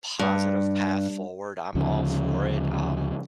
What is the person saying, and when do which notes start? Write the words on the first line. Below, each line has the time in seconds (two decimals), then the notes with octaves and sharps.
positive path forward, I'm all for it, um,
0.19 G2
1.75 D2 C#3 F3